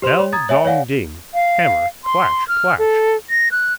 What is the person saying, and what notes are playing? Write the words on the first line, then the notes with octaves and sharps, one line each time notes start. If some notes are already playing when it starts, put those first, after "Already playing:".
Bell, dong, ding; hammer, clash, clash!
G4 C5 C6 E7 F7
C#5
A#5 D#6 G#6 A6
C#5 E5 G#5
C#5 D5 F5 F#5 G#5
F5
C6
F6
A4
A#6
F#6